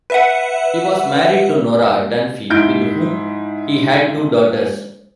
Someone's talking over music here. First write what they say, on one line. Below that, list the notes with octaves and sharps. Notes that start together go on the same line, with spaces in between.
He was married to Nora Dunfee, with whom he had two daughters.
B4 E5 F#5
G#2 E4 G6 D7